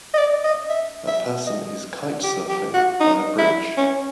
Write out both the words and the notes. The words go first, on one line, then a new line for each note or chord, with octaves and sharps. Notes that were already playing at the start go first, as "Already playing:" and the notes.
A person is kite surfing by a bridge.
D#5
D5
D#5
E5
E5
D#5
G4
G4
F#4
D#4
E4
C#4